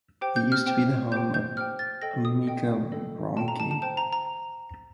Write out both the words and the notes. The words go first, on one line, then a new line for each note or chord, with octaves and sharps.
It used to be the home of Amica Wronki.
G4 C5 G5
G6
F6
G4 C5 G5
G4 C5 G5 G6
G6
G4 C5 G5 F6
A6
A4 D#5 G5 A#6
D#6
A4 D#5 G5
A4 D#5 G5
A4 D#5 G5 A5
A#5
A5
A5
C5 G5 A5
A#5
A#5